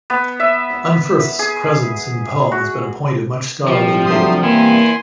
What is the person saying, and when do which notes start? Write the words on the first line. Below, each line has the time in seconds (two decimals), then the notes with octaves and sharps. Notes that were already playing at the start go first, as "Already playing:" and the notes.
Unferth's presence in the poem has been a point of much scholarly debate.
0.10 B3
0.40 E5
1.39 G#4
2.52 F#4
3.68 C3 F3 G3
4.05 D2 F#3 A3 G4 C6 D#6
4.43 A#3 B3 E4 G#5 C6